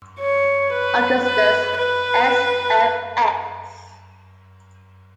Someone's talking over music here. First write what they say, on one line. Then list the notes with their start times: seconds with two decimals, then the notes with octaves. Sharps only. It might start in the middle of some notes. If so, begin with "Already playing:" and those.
Augustus S. F. X.
0.20 C#5
0.72 B4
1.25 B4
1.78 B4